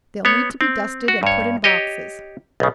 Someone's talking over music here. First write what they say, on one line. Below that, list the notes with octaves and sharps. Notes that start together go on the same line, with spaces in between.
They'll need to be dusted and put in boxes.
B3 C#5
C4
F#4
G2 C#5
G4 C#5 D#5
B1 C#3